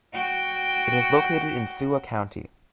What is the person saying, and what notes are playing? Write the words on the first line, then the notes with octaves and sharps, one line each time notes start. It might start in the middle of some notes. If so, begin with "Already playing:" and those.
It is located in Sua County.
F#4 G5